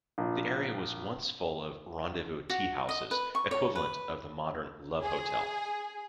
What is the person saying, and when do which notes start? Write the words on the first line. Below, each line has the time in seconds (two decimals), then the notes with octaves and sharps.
The area was once full of "rendezvous teahouses", equivalent of the modern love hotel.
0.18 A#1
2.50 F#4
2.89 D#5
3.11 B4
3.35 C#6
3.51 C#5
3.75 B4
5.02 G#4